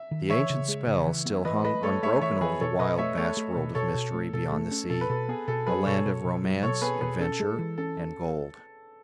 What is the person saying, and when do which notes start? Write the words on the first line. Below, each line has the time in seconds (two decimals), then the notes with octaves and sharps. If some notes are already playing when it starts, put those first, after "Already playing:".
The ancient spell still hung unbroken over the wild, vast world of mystery beyond the sea,--a land of romance, adventure, and gold.
Already playing: E5
0.11 D#3
0.30 E3 C#5 E5
0.50 C#3
0.68 G#3
0.87 C#3
1.07 E3
1.25 B3
1.45 E3 B4 D#5
1.64 A3 B4 D#5
1.83 A3 A4 C#5
2.03 A3 C#5 E5
2.21 E3 C#5 E5
2.41 E3 G#4 B4
2.60 B2 A4 C#5
2.79 B2 B4 D#5
2.98 A3 C#5 E5
3.17 A3 A4 C#5
3.37 A3
3.56 B2
3.75 B2 A4 C#5
3.94 B2
4.14 A3
4.33 B2 A4
4.52 A3
4.71 C#4
4.90 B2 A4
5.01 B4
5.10 B2 A4
5.28 B3 G#4
5.48 B2 A4
5.66 F#3 G#4 B4
5.86 B2 A4 C#5
6.06 B2
6.25 B2
6.43 F#3
6.63 B2 A4 C#5
6.82 B3 G#4 B4
7.01 B2 G#4 B4
7.20 C#4 A4
7.40 G#3
7.58 E3
7.78 C#4 A4